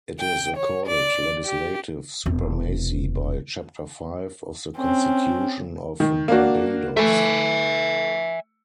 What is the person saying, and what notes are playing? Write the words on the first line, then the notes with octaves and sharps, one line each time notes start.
It is accorded legislative supremacy by Chapter Five of the Constitution of Barbados.
G5
C#5
D5
G4
E1 C3
C4 C#4
D#3
A#3 D4 F#4
A3 E5 G#5